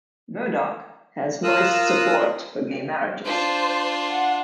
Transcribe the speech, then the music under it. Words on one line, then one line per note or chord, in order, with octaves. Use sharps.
Murdoch has voiced support for gay marriages.
F4 A#4 D#6 E6 F#6
D4 F4 C5
F#5